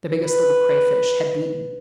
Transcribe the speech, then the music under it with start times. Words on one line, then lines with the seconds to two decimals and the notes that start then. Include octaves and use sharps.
The Biggest Little Crayfish had beaten.
0.25 B4